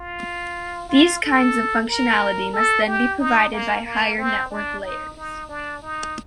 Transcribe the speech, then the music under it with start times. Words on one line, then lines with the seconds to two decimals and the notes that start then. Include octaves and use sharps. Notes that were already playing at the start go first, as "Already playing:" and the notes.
These kinds of functionality must then be provided by higher network layers.
Already playing: F4
0.89 F4
1.23 A4
1.88 A#4
2.54 A4
2.87 G4
3.20 D#4
3.53 A#3
3.85 A#3
4.18 C4
4.51 D4
4.83 D#4
5.17 D#4
5.49 D4
5.82 D#4